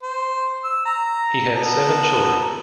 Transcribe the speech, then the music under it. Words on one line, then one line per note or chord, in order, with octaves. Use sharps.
He had seven children.
C5
E6
A#5
B3 A4 A#4